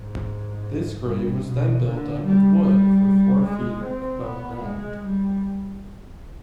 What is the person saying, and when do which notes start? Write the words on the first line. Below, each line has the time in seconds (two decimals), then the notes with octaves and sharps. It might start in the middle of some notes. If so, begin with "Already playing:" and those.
This grave was then built up with wood for four feet above ground.
Already playing: G#2
1.05 G2
1.45 B2
1.85 D3
2.24 G3
2.64 G3
3.44 G#3
3.83 C4
4.23 B3
4.63 G#3
5.04 G3